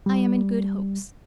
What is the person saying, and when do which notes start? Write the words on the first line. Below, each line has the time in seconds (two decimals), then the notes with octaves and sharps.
'I am in good hopes.
0.06 G3